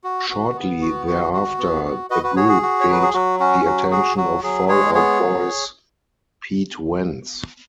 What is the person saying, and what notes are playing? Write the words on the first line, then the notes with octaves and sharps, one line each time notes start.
Shortly thereafter, the group gained the attention of Fall Out Boy's Pete Wentz.
F#4
F#4
B3
F#4
F#4
F#4
B3
F#4
F#4 B4 D#5
F#4 B4
F#4 G#4 C#5
G#4
F#4
C#5
F#3 B4
G#4
F#3 F#4
C#4 F#4
F#3 F#4
F#4 G#4
F#3 F#4
F#3 G#4
G#3 G#4 C#5
B3 G#4 C#5
F#3